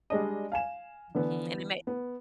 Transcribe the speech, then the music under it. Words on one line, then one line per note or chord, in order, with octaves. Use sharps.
Mhm, and it may
G3 G#3 D4 D#5
F5 G#5 E7
D3 E3 B3
B3